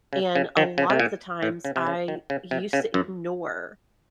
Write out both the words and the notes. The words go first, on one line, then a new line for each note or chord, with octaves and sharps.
and a lotta the times, I used to ignore
C#3
C#3
D#3
C#3
C3
A#2
A2
C#3
C3
C#3
D#3
C#3
C3
C#3
F#2